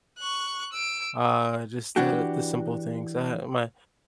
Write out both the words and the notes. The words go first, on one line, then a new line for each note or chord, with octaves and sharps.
uh, just the the simple things. Uh, my
C#6 F#6
E6 D7
E3 D4 F#4 G4